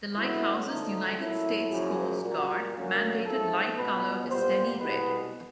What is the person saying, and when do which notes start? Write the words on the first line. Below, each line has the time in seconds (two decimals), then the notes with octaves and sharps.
The lighthouse's United States Coast Guard-mandated light color is steady red.
0.16 D2 C#3 F#3 B3 E4
0.67 D2 D3 F3 A3 D#4
1.20 A#2 F#3 A3 E4
1.71 F#2 C#3 F3 A#3
2.22 A#2 G3 A#3 F#4
2.74 F#2 D3 F#3 A#3
3.25 G#2 F3 A3 A4
3.76 C#2 B2 G#3 B3 B4
4.29 A#2 G3 B3 C5
4.79 C2 B2 G#3 B3 B4